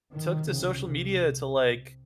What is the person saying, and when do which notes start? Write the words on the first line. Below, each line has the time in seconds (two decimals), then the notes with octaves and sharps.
took to social media to, like,
0.12 C2 C3 D#3
0.48 C#3